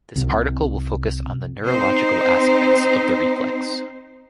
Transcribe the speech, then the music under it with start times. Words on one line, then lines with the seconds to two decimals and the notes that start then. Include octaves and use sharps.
This article will focus on the neurological aspects of the reflex.
0.15 C2 C3
1.64 C4 D#4 C5